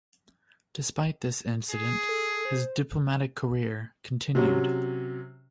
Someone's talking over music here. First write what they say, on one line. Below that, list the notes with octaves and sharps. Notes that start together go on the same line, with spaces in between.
Despite this incident, his diplomatic career continued.
G#4
A4
C5
C3 F#3 C#4